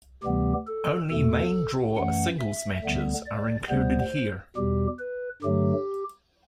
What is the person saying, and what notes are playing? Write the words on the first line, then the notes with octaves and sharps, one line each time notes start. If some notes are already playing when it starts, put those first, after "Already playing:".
Only main draw singles matches are included here.
D2 C3 E3 G3 B3 G4
A4
E2 B2 A3 A4
F#2 E3 A3 F#5
E5
D2 D3 G3 B3
D5
D2 C3 G3 B3 C5
E2 B2 G3 G4
B4
G2 D3 F#3 A3 G4